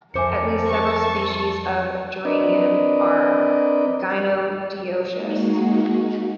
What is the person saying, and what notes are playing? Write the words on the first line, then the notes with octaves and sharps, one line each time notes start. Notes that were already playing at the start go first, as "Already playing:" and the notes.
At least several species of "Geranium" are gynodioecious.
F2 A4 A#4 C5 E5 G#5 D6 C#7
A5 C#6
C4 D4 A#4 B4 D5 D#5
G#3 A#3 D#4 F#4